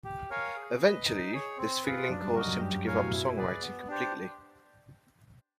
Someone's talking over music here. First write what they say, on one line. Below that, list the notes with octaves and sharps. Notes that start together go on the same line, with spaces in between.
Eventually this feeling caused him to give up song-writing completely.
G4
A#4 C#5 F5 G#5
G#4
B4 D#5
D#4
G#4 C#5
C4
F4 G#4 B4
F#2 D4
G2
F#2 F#4 A#4 D#5
F#2
G2 G4
G2
A2 A#4 C#5 F5 G#5
B2
E4
G#4 B4 D5
B3
D4 G4 C5